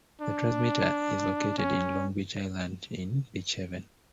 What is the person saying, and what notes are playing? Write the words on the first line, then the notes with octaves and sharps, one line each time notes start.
The transmitter is located in Long Beach Island in Beach Haven.
D4
C#4